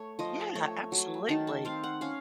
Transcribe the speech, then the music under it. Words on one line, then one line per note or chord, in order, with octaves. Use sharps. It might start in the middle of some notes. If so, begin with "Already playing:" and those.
Yeah, absolutely.
Already playing: A3 C#5
F3 D#5
A3 C#5
F#3
D#3 A5
A5
C4 F5
F#5
C#4 F5